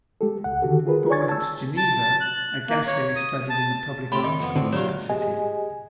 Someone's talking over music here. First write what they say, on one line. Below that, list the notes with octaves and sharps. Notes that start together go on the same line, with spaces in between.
Born at Geneva, Agasse studied in the public art school of that city.
G#3 G4 A4
C#2 F#5
D3 D#3 F#4 G4 A4
F4 G#4 A#4 B4
C#5 D5 G#5 C#6 G#6 A6
A5 E6
A5
F#6
A#3
C#5
D#6
A5
A2 G4 G5 B5 C6
D#3 D#5
F2 B3
D2 D3 C4
F#3 D4 F4 G4 C#5
G4 G#4 D#5 G#5